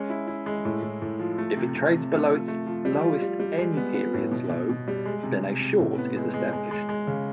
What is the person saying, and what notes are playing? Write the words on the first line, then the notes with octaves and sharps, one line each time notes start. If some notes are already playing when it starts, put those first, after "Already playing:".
If it trades below its lowest "n" periods low, then a short is established.
Already playing: G#3 C#4
E4
E4
G#3
A2
A2
A2
F3
A3
C3
C3
C3
A3
F3
A3
F3
G3
F4
G3
G3
G#3
B3
B3
A2
B2
B2
B2
G3
G#3
C3
C3
C3
A2
B3
G#3
G#3
G#3
G#3
G#3
C#3